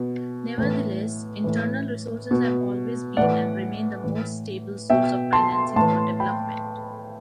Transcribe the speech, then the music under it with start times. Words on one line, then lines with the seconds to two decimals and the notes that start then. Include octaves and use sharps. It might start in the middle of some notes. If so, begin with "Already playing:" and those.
Nevertheless, internal resources have always been and remain the most stable source of financing for development.
Already playing: B2
0.58 A2 E3
1.44 A2 E3
2.31 B2
3.17 A2 E3 D5 F#5
4.04 A2 E3
4.90 B2 E5 G5
5.33 A5 C6
5.76 A2 E3 A5 C6
6.20 G5 B5